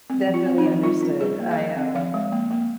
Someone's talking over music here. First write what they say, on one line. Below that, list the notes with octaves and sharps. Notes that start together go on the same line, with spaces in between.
Definitely understood. I, um,
C4
F3
F4
C4
D#4
F3
G3 F4
C#4
G3 G#4
A#3
F5
F3 D#5
C4
F3 F5
G#3
A#3
A#3